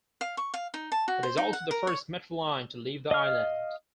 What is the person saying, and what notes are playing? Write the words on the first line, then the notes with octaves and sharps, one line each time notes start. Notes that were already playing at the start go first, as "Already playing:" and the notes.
It is also the first Metro line to leave the island.
F5
C#6
F5
D#4
A5
F#4
C5
D#4
F#5
A#4
C#5
D#5 F5 F6